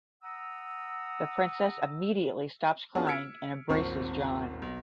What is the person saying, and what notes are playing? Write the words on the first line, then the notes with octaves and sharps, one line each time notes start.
The princess immediately stops crying and embraces John.
F#5 A#5 D#6 E6
B3 C#4 D4 F4 F#4 G#4
E6 F6 G#6 B6 C#7 D7
D#1 G#1 C4 C#6
B1